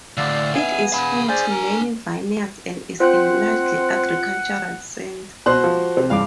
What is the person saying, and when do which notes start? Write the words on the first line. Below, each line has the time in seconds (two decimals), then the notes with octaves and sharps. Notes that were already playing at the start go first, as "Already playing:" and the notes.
It is home to many vineyards and is a largely agricultural center.
0.17 A2 D3 D5 F5 E6
0.55 B3 E5 F5 G#5 D#6
0.92 F5 B5
1.29 D4 G#4 C5 D5 G#5
1.51 A#4
3.00 C4 F4 C5 F#5 F#6
5.46 B2 F#4 C5 F#6
5.64 F3
5.97 C3 C4
6.10 F#1 G2 F5 D6